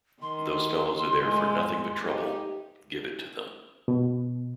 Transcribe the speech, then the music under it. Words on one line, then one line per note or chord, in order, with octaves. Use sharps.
Those fellows are there for nothing but trouble - give it to them!
D#3 C6
A2 G#3
D#4 G4
B2